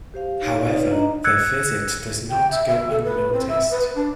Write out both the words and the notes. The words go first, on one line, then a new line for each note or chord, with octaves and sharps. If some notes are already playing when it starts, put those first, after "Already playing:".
However, their visit does not go unnoticed.
G4 C5 F5
D#4 C#5 F5
D#4 F4 B4 C#5 D5
D4 D#5 A#5
E6 F#6 G#6 C#7
G5
E5
E5
A4
B4
C4
E5
B4
D4